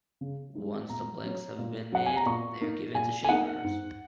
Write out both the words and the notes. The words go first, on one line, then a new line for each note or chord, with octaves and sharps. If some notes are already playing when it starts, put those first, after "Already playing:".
Once the blanks have been made they are given to shapers.
C#3
G#3 D#4
A#2 A#5
F#3 C#4
A#2
F#3 C#4 F#5
G#5
A#5
A#2 C#6
A#3 D#4
A#2 G#5
G#5
A#3 D#4 F#5
G#2